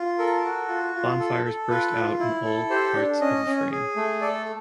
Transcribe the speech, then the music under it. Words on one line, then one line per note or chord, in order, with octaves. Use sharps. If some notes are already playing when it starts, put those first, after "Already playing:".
Bonfires burst out in all in parts of the frame.
Already playing: F4
A4 A#4
F#4
F4
F4
A4
A4
F4 B4
F4
E4
A4
G4 C5
D4
C#4 D#5
C#4
G#4
A3
A4 D5